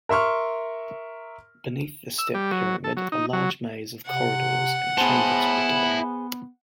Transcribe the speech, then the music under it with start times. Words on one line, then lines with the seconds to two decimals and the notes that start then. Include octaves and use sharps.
Beneath the step pyramid, a large maze of corridors and chambers were dug.
0.09 A#4 E5 C6 C#6 F6
2.18 E6
2.34 G3
2.51 F#3
2.84 A4
2.97 F#3
3.12 D#4
3.33 F#3
4.07 C3 F#5
4.98 B3 E4 G#4 C5 A5